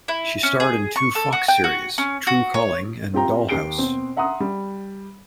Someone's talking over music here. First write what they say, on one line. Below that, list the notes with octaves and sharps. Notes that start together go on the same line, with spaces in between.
She starred in two Fox series, "Tru Calling" and "Dollhouse".
E4
C#4
G#4
C#6
A4
F#4
G5
F#4
C#4
F#4
C#5
C4 F4 G4 G5 A#5
D#2 G4 C7 D7 G7
B2 C4
E5 F#5 A#5 C6 D#6
G3